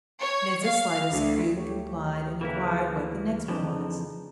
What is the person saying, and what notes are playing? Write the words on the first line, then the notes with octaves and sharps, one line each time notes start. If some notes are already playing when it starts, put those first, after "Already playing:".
Mrs Sliderskew complied, and inquired what the next one was.
C#5
F5
D2
D2 A3 G4 C#5
C#3 E3 A#3 E4 B4
F2 C#3 E3 F3 D4 D#4